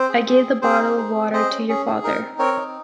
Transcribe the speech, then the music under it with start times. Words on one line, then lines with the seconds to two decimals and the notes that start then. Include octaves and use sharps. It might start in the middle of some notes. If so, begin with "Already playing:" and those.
I gave the bottle of water to your father.
Already playing: C4 C5
0.09 G#4
0.27 G#4
0.44 C4
0.62 C4 G#4 C5
0.80 D#4
0.97 G#4
1.15 C4
1.33 G#4 C5 D#5
1.50 C#4
1.69 C#4 G#4
1.86 G#4
2.04 D#4 A#4
2.21 C4
2.38 C4 A#4 C#5
2.57 D#4